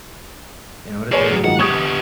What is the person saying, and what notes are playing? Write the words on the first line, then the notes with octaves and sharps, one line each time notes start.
in order to do math.
G#4 B4 C#5 D5 G#5
D2 F#3
D#3 F3 G#3 F#5
B3 G4 C#6 D#6 G#6